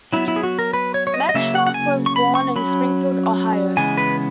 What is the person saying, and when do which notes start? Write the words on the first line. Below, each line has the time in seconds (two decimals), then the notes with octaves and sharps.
Meckstroth was born in Springfield, Ohio.
0.13 F#3 B3 E4
0.28 E4
0.36 G#4
0.43 F#4
0.59 A#4
0.73 B4
0.94 C#5
1.07 C#5
1.14 D#5
1.29 D#5
1.34 C#3 F#3 A#3 C#4 E5
1.55 F#5
1.67 F#5
1.74 G#5
2.06 C#6
2.16 B5
2.35 C#6
2.56 F#3 C#4 B5
3.77 C#3 E3 G#3 B3 G#5
3.97 B4